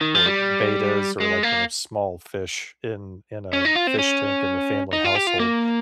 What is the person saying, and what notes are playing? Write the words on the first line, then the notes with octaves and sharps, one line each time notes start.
or betas or, like, you know, small fish in in a fish tank in the family household,
D#3
F3
G3
G#3
A#3
C#4
D#4
F4
C4
C#4
D#4
F4
G4
F4
A#3